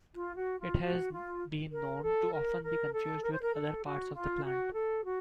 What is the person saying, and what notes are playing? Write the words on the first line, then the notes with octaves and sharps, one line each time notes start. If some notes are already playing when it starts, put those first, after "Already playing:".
It has been known to often be confused with other parts of the plant.
F4
F#4
F4
F#4
F4
A#4
A4
A#4
A#4
A4
A#4
C5
A#4
A4
F#4
F4
F#4
A4
F#4